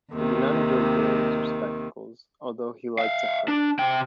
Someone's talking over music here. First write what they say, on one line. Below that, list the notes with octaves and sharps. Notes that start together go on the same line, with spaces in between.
He did not enjoy games or spectacles, although he liked to hunt.
D#2 C3 D#3
E5 F5
D4
C3 G5